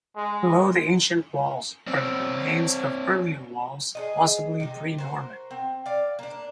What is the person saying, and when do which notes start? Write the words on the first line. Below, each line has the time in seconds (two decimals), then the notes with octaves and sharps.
Below the ancient walls are the remains of earlier walls possibly pre Norman.
0.16 G#3
1.87 C4 D4
3.95 G#4 A4 D#5
4.60 C3 D#4
4.98 F#4 A#4 C5
5.51 C4
5.86 D5 F5
6.19 A#3 D4